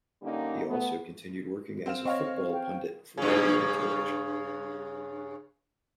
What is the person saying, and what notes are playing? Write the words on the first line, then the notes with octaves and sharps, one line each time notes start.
He also continued working as a football pundit for radio and television.
D3 G3 A#3 C#4 D#4
A3 B3
C4 F5 E7
C4 C#5 D#5 F5 C#6
G5
G2 C#3